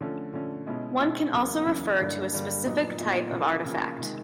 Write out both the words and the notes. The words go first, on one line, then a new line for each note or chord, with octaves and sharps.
One can also refer to a specific type of artifact.
D3 F3 A3 C#4
D3 F3 A3 C#4
B2 G#3 C#4 E4
B2 G#3 C#4 E4
E2 C#3 F#3 A#3 C#4
E2 C#3 F#3 A#3 C#4
G2 D3 G3 A#3 D4
G2 D3 G3 A#3 D4
A#2 F#3 B3 D#4
A#2 F#3 B3 D#4
C#3 F3 A#3
C#3 F3 A#3
C3 D#3 G#3